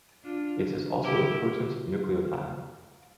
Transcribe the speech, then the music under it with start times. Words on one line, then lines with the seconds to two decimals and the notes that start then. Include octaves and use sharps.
It is also a potent nucleophile.
0.24 D4 F4
1.04 E4 G4